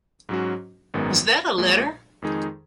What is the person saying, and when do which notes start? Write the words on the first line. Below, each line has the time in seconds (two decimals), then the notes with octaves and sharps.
Was that a letter?
0.29 G#2 F#3 C#4 F#4
0.94 G#1 F#2 D#3 G#3 B3
1.58 A#1 A#2 G#3
2.22 F2 D#3 G#3 D#4 G#4